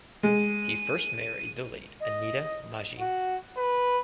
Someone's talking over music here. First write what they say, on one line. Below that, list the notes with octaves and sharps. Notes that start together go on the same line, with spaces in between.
He first married the late Anita Majhi.
G#3 D#7
D#5
F#4
B4